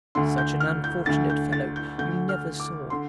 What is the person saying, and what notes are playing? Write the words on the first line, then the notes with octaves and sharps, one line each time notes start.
Such an unfortunate fellow you never saw.
D2 D3 C6
G6
F6
G6
D2 D3 A6
G6
A6
G6
D2 D3 G6
F6
D6
D3 C6